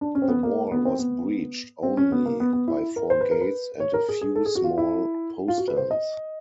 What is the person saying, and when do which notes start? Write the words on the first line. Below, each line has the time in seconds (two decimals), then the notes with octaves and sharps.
The wall was breached only by four gates and a few small posterns.
0.01 D4
0.15 C#4
0.22 C4
0.28 B3
0.43 A#3
0.71 B3
0.85 C4
0.99 B3
1.83 C4
1.97 C#4
2.12 B3
2.26 A#3
2.40 B3
2.53 B3
2.68 E4
2.96 A#4
3.10 C5
3.21 B4
3.31 A#4
3.41 B4
3.80 C#5
3.94 A#4
4.09 G#4
4.21 G#4
4.35 A4
4.45 G#4
4.55 F#4
4.64 F4
4.78 E4
5.48 F4
5.58 F#4
5.68 B4
5.77 C5
5.91 D#5